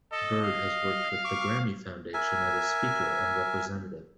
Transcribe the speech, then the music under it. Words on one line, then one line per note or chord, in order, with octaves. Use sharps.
Byrd has worked with The Grammy Foundation as a speaker and representative.
A4 D#5
F5
C#6 D6
A#4 E5 G#5